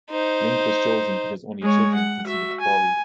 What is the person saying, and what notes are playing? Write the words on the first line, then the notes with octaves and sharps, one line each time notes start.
Link was chosen because only children can see the Picori.
D#4 C5
G#3 C#5
F#5
F#4 E5
G#5